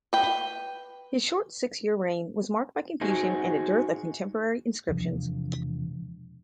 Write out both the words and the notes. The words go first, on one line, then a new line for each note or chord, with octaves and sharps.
His short six-year reign was marked by confusion and a dearth of contemporary inscriptions.
B4 G5
D#4 F#4 G#4 C5
E1 C3 F3 D4